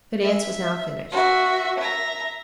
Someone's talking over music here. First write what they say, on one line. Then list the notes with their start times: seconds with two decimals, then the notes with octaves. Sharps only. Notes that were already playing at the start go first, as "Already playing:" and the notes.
The dance was now finished.
0.24 E5
1.12 F#4 E5
1.79 E5 A#5